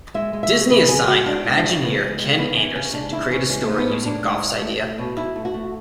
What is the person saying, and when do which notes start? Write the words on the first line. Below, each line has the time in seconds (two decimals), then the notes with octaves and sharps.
Disney assigned Imagineer Ken Anderson to create a story using Goff's idea.
0.14 G#3 E5
0.33 G#3
0.43 E5
0.51 C#3
0.70 C#3 B4
0.89 G#3 G#4
1.08 G#3 F#4
1.26 G#3 D4
1.44 G#3
1.54 D4
1.63 C#3
1.82 C#3 B3
2.00 G#3
2.19 G#3
2.38 C#3 B3
2.56 E3 C#4
2.75 C#3 C#4
2.93 G#3 D4
3.12 C#3 E4
3.31 E3 C#4
3.50 G#3 C#4
3.63 G#3 A3
3.78 B3
3.87 A2 C#4
4.06 A2 D4
4.24 G#3
4.42 G#3
4.61 A3
4.80 A3
4.98 B2
5.17 B2 E4
5.36 A3
5.45 F#4
5.54 A3